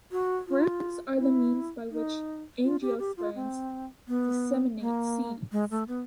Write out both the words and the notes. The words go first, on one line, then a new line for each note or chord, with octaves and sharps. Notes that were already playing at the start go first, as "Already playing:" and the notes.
Fruits are the means by which angiosperms disseminate seeds.
F#4
F4
E4
D#4
F4
G4
G4
F4
C4
B3
A#3
G#3
A3
B3